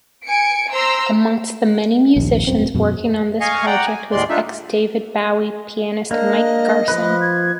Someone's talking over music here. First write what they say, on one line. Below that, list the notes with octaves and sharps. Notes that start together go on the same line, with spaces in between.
Amongst the many musicians working on this project was ex-David Bowie pianist Mike Garson.
G#5 C#7 D7
C5 A#5 C6 E6
A#1 D#2
E1 F#2 C4
F#2 B2
D#5 F5 G#5 C#6
D5 F#5 G5 A#5
G#5
D#2 A2 G#3 D5 C6
D4 D#4 F4 E5
A#3 D4 D#5
F3 B4
G#6